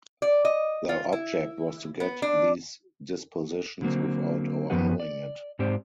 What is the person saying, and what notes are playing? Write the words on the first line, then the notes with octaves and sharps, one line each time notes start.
Their object was to get these dispositions without our knowing it.
D5
D#5
F4
E4
B3
D4
D3 F#3 A#3 C4
F#2 F3 B3 G4 B4 F#5
D5
G#2 C4 G4 C5 D5